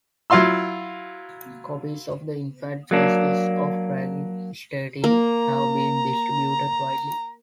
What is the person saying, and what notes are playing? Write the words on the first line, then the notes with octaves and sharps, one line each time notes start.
Copies of the Infant Jesus of Prague statue have been distributed widely.
F#3 E4 F4 F5 C6 E6
F#3 A#3 D4
A#3 A#5